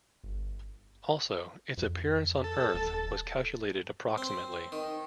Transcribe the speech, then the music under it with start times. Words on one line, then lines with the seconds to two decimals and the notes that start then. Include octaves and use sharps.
Also, its appearance on Earth was calculated approximately.
0.24 G1
1.78 F2
2.44 A4
2.74 D#1
4.18 C4
4.72 D#3